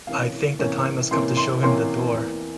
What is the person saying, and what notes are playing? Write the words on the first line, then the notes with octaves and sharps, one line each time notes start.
I think the time has come to show him the door.
C3 E3 A#3 C#4 F5
C3 E3 A#3 C#4
C3 E3 A#3 C#4 C6
C6
C3 E3 A#3 C#4 C6
E2 E3 A#3